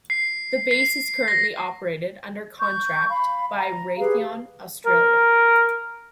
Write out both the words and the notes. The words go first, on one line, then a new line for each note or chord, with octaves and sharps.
The base is currently operated under contract by Raytheon Australia.
C7
C7
A#6
C#6 G6
F5 B5
A#5
G4 G#4 B4 F5
A#4